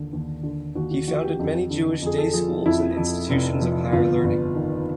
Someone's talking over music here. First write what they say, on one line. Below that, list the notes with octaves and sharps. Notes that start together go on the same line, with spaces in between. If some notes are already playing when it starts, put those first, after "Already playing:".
He founded many Jewish day schools and institutions of higher learning.
Already playing: D#2 D3
D#2
D3
D#2 F#4
F#4
F3 F#4
G4
F2 G4
D3
F2 G#4
A4
F3 G#4
F2 E4
F2
F1
F3
G1 F4
G1
D#3